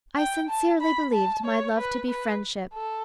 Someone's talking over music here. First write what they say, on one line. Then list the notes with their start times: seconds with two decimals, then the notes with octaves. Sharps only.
I sincerely believed my love to be friendship.
0.17 G5
0.49 A5
0.81 B5
1.13 A5
1.45 C#5
1.77 B4
2.09 B4
2.74 A4